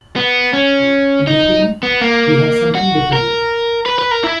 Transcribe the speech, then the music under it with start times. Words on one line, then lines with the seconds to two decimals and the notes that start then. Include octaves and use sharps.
In between we have something different.
0.16 B3
0.53 C#4
1.27 D#4
1.83 B3
2.01 A#3
2.75 F#4
3.13 A#4
3.86 B4
3.99 B4
4.11 A#4
4.24 E4